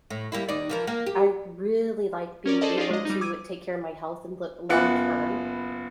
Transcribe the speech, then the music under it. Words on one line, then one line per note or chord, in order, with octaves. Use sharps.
I really like being able to take care of my health and look long term,
A2
G3 A#3 E4
D#2 D#4 D5
E3 F3 A#4
A#3
G4
C#4 A#4 D5
G#4 A4 C5 D5 D#5 A5
D#4 F4 G4 G#4 D5
G#3 D#5
G3 D#4
D6 E6 G#6 D#7
F#1 B3 F4 F#6 C#7